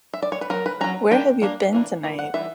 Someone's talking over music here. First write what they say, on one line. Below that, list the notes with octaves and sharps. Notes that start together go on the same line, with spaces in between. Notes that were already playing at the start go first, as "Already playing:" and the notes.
Where Have You Been Tonight?
E5
D5
C#5
B4
F#3 C#4 A#4
B4
F#3 C#4 A#5
G3 A#3 D4 G5
G3 A#3 D4
E3 A#3 D4
E3 A#3
F#5
E3 G3 B3 E5